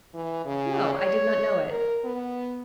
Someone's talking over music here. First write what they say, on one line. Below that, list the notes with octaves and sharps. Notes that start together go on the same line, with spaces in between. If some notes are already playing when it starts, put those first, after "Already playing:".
"No, I did not know it."
E3
C#3
C#5
A#4
B3